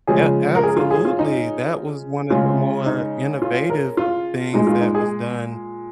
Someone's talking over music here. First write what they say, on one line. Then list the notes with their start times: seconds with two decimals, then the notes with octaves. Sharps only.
A absolutely, that was one of the more innovative things that was done,
0.07 C#3 F3 G#3 G#4
0.55 A#4
0.63 G#4
0.77 F4
0.91 G#4
1.05 F4
1.19 D#4
2.30 C#3 G#3 F4
2.86 D#4
3.42 F4
3.70 A#4
3.97 F4
4.53 A#2 G#3 D#4
4.67 F4
4.81 D#4
4.95 G#4